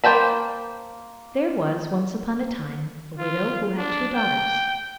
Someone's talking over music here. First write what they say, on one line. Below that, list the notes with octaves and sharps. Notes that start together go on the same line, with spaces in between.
There was, once upon a time, a widow, who had two daughters.
A#3 C5 G5 A5 B5
F4
D4
G5